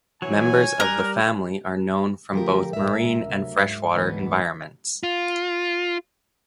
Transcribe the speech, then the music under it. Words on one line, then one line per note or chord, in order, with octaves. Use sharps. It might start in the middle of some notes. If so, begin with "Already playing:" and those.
Members of the family are known from both marine and freshwater environments.
E3 F#3 C#5 G#5
G3 A#4 F6 F#6
D3 F3 A3 G4 A#4
A1 G#3 A#4 E5
D2 C3 F#3
G#2
D2 G#2 E3 B3
F4